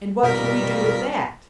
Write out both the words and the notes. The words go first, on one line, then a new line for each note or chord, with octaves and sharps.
"And what can you do with that?"
B2 D#3 G3 F4 A#4 B6